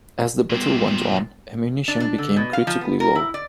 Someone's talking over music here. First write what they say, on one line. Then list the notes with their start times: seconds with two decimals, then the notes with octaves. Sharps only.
As the battle went on, ammunition became critically low.
0.50 A#2 G3 B3 C4
1.88 D4
2.00 D4
2.18 D3
2.36 B2
2.53 F5
2.67 F3
2.81 B3
3.00 A#4
3.15 E4
3.34 D5